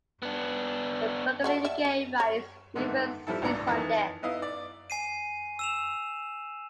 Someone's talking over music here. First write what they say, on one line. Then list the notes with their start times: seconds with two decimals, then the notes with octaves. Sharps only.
The burgeoning gay rights movement seized on this.
0.22 B3 D4
1.44 D3 F#4 A4
1.65 D5 E5
1.85 C#4
2.20 C#5
2.75 G#2 D3 D#3 A3 B3
3.27 F3 G3 E4 A4
3.42 G#1 C#2 A#2 D4 A#5
3.67 F2 D#3 E3
4.23 B3 D#4 E4 D#5 F5
4.42 D5
4.90 G#5 C7 D#7
5.59 E6 E7 F7